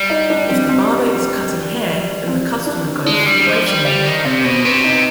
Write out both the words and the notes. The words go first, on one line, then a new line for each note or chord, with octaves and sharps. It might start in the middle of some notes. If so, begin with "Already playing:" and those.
If the barber is cutting hair, then the customer goes to the waiting room.
Already playing: G3
D#4
D4
C4
C4
C4
D4
G#3 D4
G3
F3 C5
G3
G3 D5
D#3
C3 D5
B2 C5
C3 B4
D#4